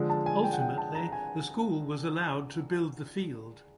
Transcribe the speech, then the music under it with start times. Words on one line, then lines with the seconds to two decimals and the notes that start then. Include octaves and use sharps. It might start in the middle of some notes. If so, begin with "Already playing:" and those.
Ultimately, the school was allowed to build the field.
Already playing: D3 F3 G#3
0.10 A5
0.26 G#5
0.44 G5
0.53 F#5
0.61 G5
0.78 A5
0.95 A#5
1.13 G#5